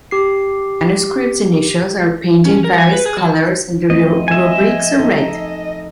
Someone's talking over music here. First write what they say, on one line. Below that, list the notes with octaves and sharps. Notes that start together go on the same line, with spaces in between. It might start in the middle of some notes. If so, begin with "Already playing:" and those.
The manuscript's initials are painted various colors and the rubrics are red.
G4 C7
C#4
A#4
G#5
B4
G#4
F#3
F3 A3 C4 D#5
D#5 E5 G#5
D#4 A4